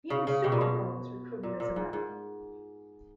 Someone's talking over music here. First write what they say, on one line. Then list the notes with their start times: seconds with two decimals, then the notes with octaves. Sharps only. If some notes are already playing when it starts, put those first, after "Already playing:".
Even Supergirl was recruited as a member.
0.10 C#3
0.27 C#3
0.44 B2
0.52 A#2
0.61 B2
1.43 A#2
1.60 A#2
1.76 G#2
1.93 G#2